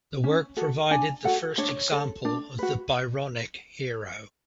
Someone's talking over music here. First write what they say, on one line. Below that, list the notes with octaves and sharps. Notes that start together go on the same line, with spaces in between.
The work provided the first example of the Byronic hero.
C#4
F#4 A4
D4 G#5
F#4 A4 F#5
D4 C#5
A4
D4
F#4 B4